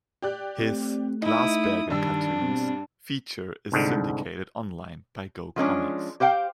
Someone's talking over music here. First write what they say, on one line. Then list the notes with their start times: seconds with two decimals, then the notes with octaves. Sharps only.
His "Glasbergen Cartoons" feature is syndicated online by GoComics.
0.22 G4 D5 F#6
0.59 A3 C4
1.22 D#4 E4 D#5 D#6
1.90 G2 D#3 G3 D4 E6
2.40 B2 C4
3.72 C2 G#2 D3
5.56 F3 G#3 C#4 D4
6.20 G4 C5 F5 G5